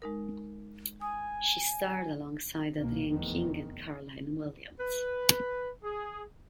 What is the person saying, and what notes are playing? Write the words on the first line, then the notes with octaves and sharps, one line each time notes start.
She starred alongside Adrienne King and Caroline Williams.
G#3 D#4 A#4
G#5 D#6
C2 B2 A#3
F1 E2 D#3
B4
G#4